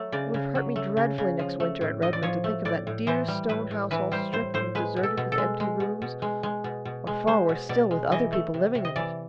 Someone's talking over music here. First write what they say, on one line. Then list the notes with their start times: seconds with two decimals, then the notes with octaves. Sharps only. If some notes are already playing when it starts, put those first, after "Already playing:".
It would have hurt me dreadfully next winter at Redmond to think of that dear stone house all stripped and deserted, with empty rooms . . . or far worse still, with other people living in it.
Already playing: F#3 A3
0.12 C#3 D5
0.34 C#3
0.55 F#3
0.76 A3
0.97 C#3
1.18 C#3
1.39 F3
1.60 A3
1.81 A2
2.02 A2 D#5
2.13 D5
2.23 F3 C#5
2.44 A3
2.65 A2 D5
2.87 A2
3.07 E3 C5
3.28 G3
3.49 A2 B4
3.71 A2
3.91 E3 B4
4.12 G3 C5
4.33 A2 C5
4.54 A2 C5
4.75 G#3 B4
4.96 B2
5.03 A4
5.17 B2
5.32 A4
5.38 G#3
5.60 G#3
5.80 B2
6.02 B2
6.22 G#3
6.43 G#3
6.64 B2
6.85 B2
7.07 G#3
7.27 G#3 C5
7.49 B2
7.69 B2 D5
7.91 G#3
8.12 E3 D#5
8.33 A3
8.54 C3
8.75 C3
8.85 D#5
8.96 E3 D5